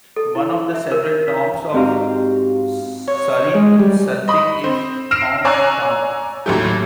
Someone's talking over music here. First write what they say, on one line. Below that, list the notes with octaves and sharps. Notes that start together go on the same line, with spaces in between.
One of the several tombs of Sari Saltik is found in town.
A4
E4
E5
A#4
B6
G#2 C4 F#4 G4 F5 A#5
C#5
G#3
G3
D#5 B5 D#6
C4
E6 F6 A#6 C7 D7 E7
C#5 D5 G#5 A#5 E6 F#6
A1 D#2 F#3 A3 G4